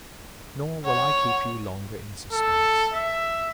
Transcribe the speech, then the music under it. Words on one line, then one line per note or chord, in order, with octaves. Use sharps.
Nor will I keep you longer in suspense.
C#5 F#5
A4
E5